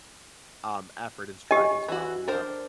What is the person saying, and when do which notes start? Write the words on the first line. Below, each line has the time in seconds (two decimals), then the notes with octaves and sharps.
um, effort and strife as well. Yep.
1.51 G4 D#5 G#5
1.88 E3 F#4
2.28 D4 A#4 C5